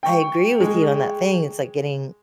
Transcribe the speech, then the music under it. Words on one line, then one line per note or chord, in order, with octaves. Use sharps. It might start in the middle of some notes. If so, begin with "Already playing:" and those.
I agree with you on that thing, it's like getting,
G5 C#6
G#3